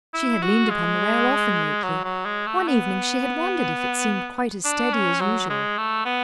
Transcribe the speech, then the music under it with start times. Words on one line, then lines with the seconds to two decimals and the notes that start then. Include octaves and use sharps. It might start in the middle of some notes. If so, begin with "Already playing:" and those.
She had leaned upon the rail often lately; one evening she had wondered if it seemed quite as steady as usual.
0.14 E4
0.42 F#4
0.70 G#3
1.83 F#3
2.04 F#3
2.25 G#3
2.47 A3
2.68 B3
4.65 D4
4.93 C#4
5.21 F#3
5.50 G#3
5.78 A3
6.05 B3